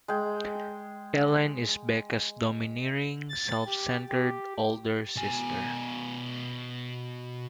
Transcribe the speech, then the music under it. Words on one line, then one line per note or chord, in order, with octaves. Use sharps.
Ellen is Becca's domineering, self-centered older sister.
G#3 G5
A6
G4
G4
B2 G#5